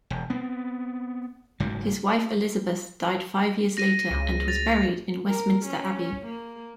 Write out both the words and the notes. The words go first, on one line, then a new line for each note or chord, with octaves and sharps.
His wife Elizabeth died five years later, and was buried in Westminster Abbey.
E1
B3 C4
F#1 G#2 F#3
A#6 D#7
C#2
A6 F7
A#4
C#4
A#3